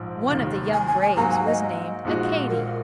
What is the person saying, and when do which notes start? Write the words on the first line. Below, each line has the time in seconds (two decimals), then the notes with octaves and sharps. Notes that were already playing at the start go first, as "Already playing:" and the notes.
One of the young braves was named Accadee.
Already playing: A#1 G#2 F3
0.29 F1 D#2 D#3
0.73 G#5
0.88 G#5
1.02 G#5
1.17 G#2 F#3 A#3 D#4 F#4 A#5
1.32 G#5
1.46 D#5
2.05 A#1 A#2 G#3 D#4 F#4
2.49 A#4